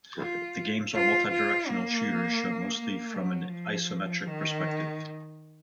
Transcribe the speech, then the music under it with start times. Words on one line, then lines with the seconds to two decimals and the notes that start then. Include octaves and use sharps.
The games are multi-directional shooters shown mostly from an isometric perspective.
0.21 F4
0.95 F4
1.32 F4
1.69 A#3
2.79 A#3
3.16 F#3
3.52 F3
4.26 D#3